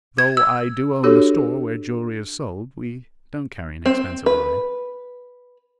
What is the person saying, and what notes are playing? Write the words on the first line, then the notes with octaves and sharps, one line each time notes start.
Though I do own a store where jewelry is sold, we don't carry an expensive line.
G#6
E6
D4 F#4 G4 A4 C#5
C4
B4